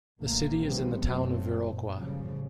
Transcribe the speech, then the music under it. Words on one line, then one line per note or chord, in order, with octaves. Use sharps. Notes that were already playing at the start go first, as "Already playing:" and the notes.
The city is in the town of Viroqua.
B1 E2 A#2 D3 A3 A#3
C3 D#3 F3 G3 B3 C4
F#1 B2 F#3 A3 C4
A#2
A1 F#2 C#3 F3 G3